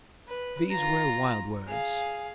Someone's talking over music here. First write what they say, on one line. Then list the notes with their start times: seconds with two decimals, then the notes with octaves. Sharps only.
These were wild words.
0.28 B4
0.71 F4 A#5
1.68 G#4 F5